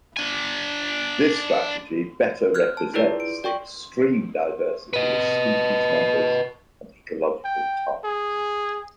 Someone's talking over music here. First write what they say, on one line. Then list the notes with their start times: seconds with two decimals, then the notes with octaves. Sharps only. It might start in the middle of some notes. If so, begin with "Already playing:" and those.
This strategy better represents the extreme diversity of species numbers and ecological types.
0.17 D4 G#5
2.55 F6 F#6 G#6
2.77 A5
2.94 D4 E4 F4 G#4 B4 D5
3.20 D7
3.44 D5 G5 C#6
4.93 B4 D#5
7.45 G5
8.04 G#4